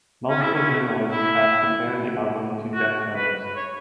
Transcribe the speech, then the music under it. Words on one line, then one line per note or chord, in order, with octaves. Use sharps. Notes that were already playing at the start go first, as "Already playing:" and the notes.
Multiple journalists have compared the album to Deftones.
C#4
E4
C#4
E4
F#4
B4
C#5